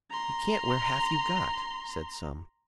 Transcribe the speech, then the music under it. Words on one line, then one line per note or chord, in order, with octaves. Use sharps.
"You can't wear half you've got," said some.
A#5 C6